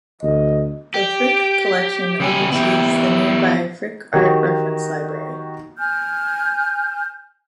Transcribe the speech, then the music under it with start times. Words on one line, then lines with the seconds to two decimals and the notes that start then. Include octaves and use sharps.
The Frick Collection oversees the nearby Frick Art Reference Library.
0.23 D2 D#5
0.94 G4
2.20 C#3 G3 G#5
2.52 B3 E4 G4
4.14 D#3 D#4 F#4 G4
5.79 G#5 F6 G6